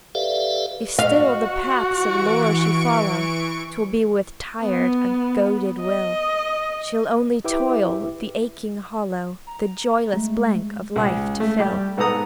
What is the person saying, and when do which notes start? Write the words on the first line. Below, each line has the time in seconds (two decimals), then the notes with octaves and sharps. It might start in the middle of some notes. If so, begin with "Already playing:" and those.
If still the paths of lore she follow, 'Twill be with tired and goaded will; She'll only toil, the aching hollow, The joyless blank of life to fill.
0.15 G4 A4 B4 D5 E5 F5
0.99 F#4 F5
1.88 E3 C#6 D7
4.61 B3
5.82 D#5
7.44 E4 G4 B4 E5 G5 D6
9.47 A#5
10.13 G#3 A3
10.96 C#2
11.40 A3
11.59 G3 G4
11.97 G#2 B3 A4 F#5 A#5 D#6